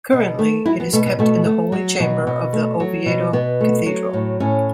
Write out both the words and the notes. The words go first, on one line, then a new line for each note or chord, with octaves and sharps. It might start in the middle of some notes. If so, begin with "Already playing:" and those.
Currently, it is kept in the Holy Chamber of the Oviedo Cathedral.
B2
A3
F#3 E4
B3
B2 A3
B3
B2 A3
A3
F#3
B2
B2
A3
F#3
B2
B2 B3
A3
F#3
A2
A2 C#4